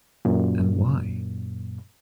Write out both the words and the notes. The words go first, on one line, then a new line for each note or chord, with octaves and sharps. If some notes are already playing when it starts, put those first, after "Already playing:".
And why?
F#2 A#2